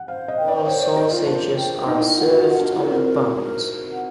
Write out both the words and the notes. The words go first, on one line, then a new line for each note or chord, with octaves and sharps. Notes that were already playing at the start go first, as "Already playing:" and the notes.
All sausages are served on buns.
Already playing: F#5
C5 F5
D#5
G5
D5
C5 C#5
D5
A#4 C5
F4
D4 C5
G5
D#4 A#4
E4
F4 F#5
F#4
F4 A#4
D4
E4 A#4
C4
A#4
A#4
A#4
F#5